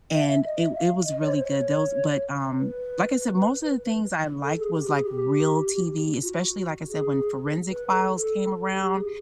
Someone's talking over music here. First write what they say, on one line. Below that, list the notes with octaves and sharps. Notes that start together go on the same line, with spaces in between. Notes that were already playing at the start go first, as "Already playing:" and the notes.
and it it was really good. Those but, um, like I said, most of the things I liked was, like, real TV, especially like I said, when Forensic Files came around
E5
E5
D#5
E5
F5
D#5
C#5
C5
C#5
B4
A4
G#4
G4
G#4
G4
F4
F#4
G#4
B4
A4
A4
G4
G#4